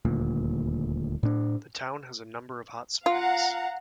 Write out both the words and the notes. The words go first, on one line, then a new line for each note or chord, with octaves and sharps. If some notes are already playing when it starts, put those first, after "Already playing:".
The town has a number of hot springs.
D#1 D2 A#2
A2 D4
F4 F5 F#5 A#5